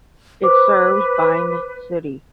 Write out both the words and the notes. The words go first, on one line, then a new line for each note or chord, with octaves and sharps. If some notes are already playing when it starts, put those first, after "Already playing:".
It serves Bhind city.
B4 C5 D6